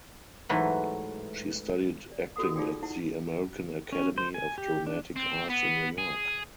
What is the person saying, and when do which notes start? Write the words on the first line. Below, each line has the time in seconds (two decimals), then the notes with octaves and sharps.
She studied acting at the American Academy of Dramatic Arts in New York.
0.49 G#2 E3 F#3 A3 B4 B5
2.11 D5
2.36 F4 F#4 A4 D#5 F#5 D#6
2.56 D#4 F4 G#4 D5 F#5 G5
2.83 E4 F#5 A5
3.92 C#4
4.18 C5
4.34 G#5
4.58 G4
4.87 D4
5.16 C4
5.49 B3
5.98 G#4